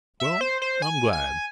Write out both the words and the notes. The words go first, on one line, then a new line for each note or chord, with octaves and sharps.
Well, I am glad.
E5
C5
C5
G#5
G#5